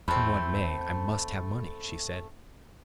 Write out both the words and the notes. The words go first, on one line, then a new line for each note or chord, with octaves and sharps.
"Come what may, I MUST have money," she said.
E2 A3 C4 B5